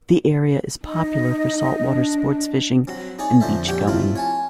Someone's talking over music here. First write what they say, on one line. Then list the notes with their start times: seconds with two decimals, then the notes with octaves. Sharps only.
The area is popular for saltwater sports fishing and beach-going.
0.86 D#4 D#5
1.78 D4
2.87 F#3 C4
3.19 D#4 G#4 C#5 D5
3.40 F2 D3 C5 E5 A5
3.67 A#1 G4 C#5 G5
3.88 A3 C4 E4 F4
4.16 C#5 G#5 A5